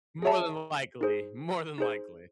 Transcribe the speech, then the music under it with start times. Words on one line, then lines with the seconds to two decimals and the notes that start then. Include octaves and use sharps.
More than likely. More than likely.
0.22 G#4 C#5 E5 A5
1.01 D#4 G#4 C5
1.78 D#4 G#4 C5